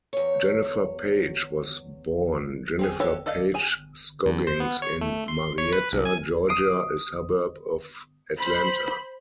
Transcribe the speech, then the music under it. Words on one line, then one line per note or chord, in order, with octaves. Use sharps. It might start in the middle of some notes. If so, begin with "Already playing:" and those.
Jennifer Paige was born Jennifer Paige Scoggins in Marietta, Georgia, a suburb of Atlanta.
E2 C#5
C4 G4 G#4
F#4 G4 A4 B4 C#5
A4 D5 D#5 F5
G#4 G5 G#5
E2
C5
B3
C#5
A3
C6
C#5
B4
C2
G#5
D#6 C7 D7
C5 B5